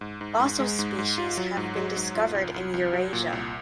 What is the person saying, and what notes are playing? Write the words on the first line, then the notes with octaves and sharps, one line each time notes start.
Fossil species have been discovered in Eurasia.
G#2
G#2
G#2
G#3
G#2
G#2
F4
F#3
G#2
F#3
G#2
F4
C2
C2
C2
F#3
A#2
C2